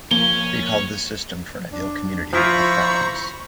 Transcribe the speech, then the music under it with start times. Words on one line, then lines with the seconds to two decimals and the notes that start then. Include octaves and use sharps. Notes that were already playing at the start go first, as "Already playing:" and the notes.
He called this system for an ideal community a "Phalanx".
0.11 F3 A#3 C#5 G#5 G7
1.72 D4
2.33 F3 E4 F4 C5 A#5 B5 C#6